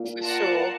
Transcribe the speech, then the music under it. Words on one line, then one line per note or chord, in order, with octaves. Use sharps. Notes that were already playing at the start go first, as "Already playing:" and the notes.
For sure.
Already playing: A#2
F4 A#4 D5 F#5 A5